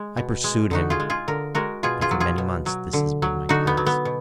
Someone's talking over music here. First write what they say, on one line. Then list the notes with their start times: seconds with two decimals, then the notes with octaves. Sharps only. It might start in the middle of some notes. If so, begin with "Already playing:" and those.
I pursued him, and for many months this has been my task.
Already playing: G#3
0.17 B2
0.44 G#3
0.71 D3 D#4 F#4
0.90 F4 G#4
1.00 G#3
1.10 F4 G#4
1.28 D3 A#4
1.55 G#3 F#4 A#4
1.83 B2 F4 G#4
2.01 F4 G#4
2.11 F#3
2.20 F4 G#4
2.38 B2
2.66 F#3
2.93 D3
3.22 F#3
3.49 D3 D#4 F#4
3.67 B3
3.77 F#3
3.86 B3
4.05 B2